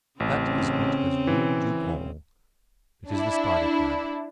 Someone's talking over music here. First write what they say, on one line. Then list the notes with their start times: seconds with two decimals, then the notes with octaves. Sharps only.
That is what has ruined you all--it is the spider crab!
0.20 A1 C#3 C4 C#4
1.27 E3
3.09 D4 E4